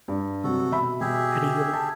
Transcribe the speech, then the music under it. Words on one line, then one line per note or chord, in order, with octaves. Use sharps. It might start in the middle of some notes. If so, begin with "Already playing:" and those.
how do you
G2
C3 F#3 F#4 A4
B2 E5 B5
B2 G4 G#4 E5
A5